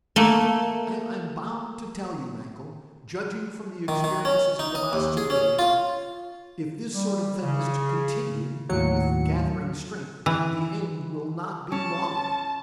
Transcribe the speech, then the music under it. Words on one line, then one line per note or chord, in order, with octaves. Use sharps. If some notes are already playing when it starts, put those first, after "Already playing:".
"I am bound to tell you, Mankell, judging from the experiences of the last two days, if this sort of thing is to continue--with gathering strength!--the end will not be long."
A3 A#3
D#3
D#3
C#4
D#4
D#5
D#2
G#4
C#4
F4
G3
C#3
D#2 A2 F#3 C#7
E3
C#4 A5